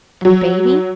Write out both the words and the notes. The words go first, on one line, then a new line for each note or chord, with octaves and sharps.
And the baby?'
F#3